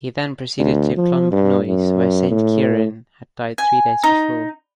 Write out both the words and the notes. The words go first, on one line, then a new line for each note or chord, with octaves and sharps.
He then proceeded to Clonmacnoise, where Saint Cieran had died three days before.
D2
F3
G2
F#2
A2
G#5
D#4